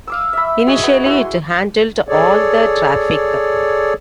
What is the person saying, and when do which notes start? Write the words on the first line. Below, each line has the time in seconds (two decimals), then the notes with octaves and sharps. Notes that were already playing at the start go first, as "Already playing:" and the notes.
Initially, it handled all the traffic.
0.07 F5 D6 E6
0.33 E5 B5
0.67 F#4 G#4 C#5 D#5
0.83 B3
1.06 E4 F#4 C6
1.21 C6
2.08 G#4 A4 C#5 D5